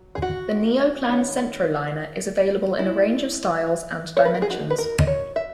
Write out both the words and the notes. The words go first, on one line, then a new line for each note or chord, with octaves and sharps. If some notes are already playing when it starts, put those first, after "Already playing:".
The Neoplan Centroliner is available in a range of styles and dimensions.
Already playing: F#3
G#4
F#4
D#3 G#3 C#4
G#3 D#4 E4
C#5
B4
A#4
G#4
F#3 A#3 D#4 F#4
B4
A#4
D#5
C#5
E5